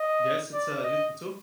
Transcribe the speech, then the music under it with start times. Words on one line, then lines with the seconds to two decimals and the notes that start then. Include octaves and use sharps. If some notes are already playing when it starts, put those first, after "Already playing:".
Yes, it's, uh, useful too.
Already playing: D#5
0.53 D5
0.83 D#5